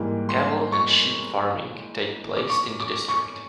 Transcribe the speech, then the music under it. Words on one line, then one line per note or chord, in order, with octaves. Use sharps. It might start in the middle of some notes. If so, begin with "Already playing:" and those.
Cattle and sheep farming take place in the district.
Already playing: G#2 E3 G3 A#3
C6
C#6
D6
C#6
D6
C#6